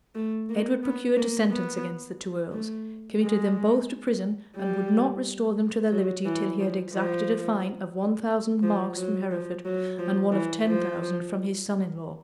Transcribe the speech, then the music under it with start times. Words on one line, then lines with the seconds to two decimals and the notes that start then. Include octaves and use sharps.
Edward procured a sentence against the two earls, committed them both to prison, and would not restore them to their liberty, till he had exacted a fine of one thousand marks from Hereford, and one of ten thousand from his son-in-law.
0.15 A3
0.49 A#3
0.83 B3
1.17 A#3
1.50 B3
2.52 A3
3.21 G#3
4.56 G3
5.92 F#3
6.26 E3
6.59 F3
6.93 F3
8.63 F3
8.97 F#3
9.31 F3
9.65 F#3
9.98 F3
10.32 E3
10.67 F3